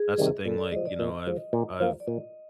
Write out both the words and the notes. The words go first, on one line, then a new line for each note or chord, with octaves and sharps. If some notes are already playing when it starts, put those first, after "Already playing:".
that's the thing, like, you know, I've I've
Already playing: G#4
C3 D#3 G3
A#2 A4
D5
F3 G#3 D#5
D5
A#2 D#5
F3 G#3
A#2
F3 A#3
D5
A#2 D#5